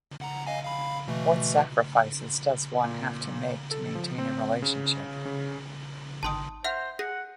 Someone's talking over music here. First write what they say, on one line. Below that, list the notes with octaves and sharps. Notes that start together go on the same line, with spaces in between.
What sacrifices does one have to make to maintain a relationship?
F#5 A#5
D#5 F5 G#5
F5 B5
B2 E3 A3
A#2
A4
F3
C4
C#3
C#3
G#1 D#4 G5 A5 C6 D#6
C5 E5 F#5 F6
G#4 F#5 A#6